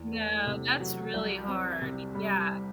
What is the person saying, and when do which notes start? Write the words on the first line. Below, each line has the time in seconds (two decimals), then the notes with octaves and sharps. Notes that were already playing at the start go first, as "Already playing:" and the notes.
No, that's really hard, yeah.
Already playing: E2
0.13 A3
0.46 C3
0.80 F#3
1.14 C2
1.48 C4
1.81 C3
2.15 G3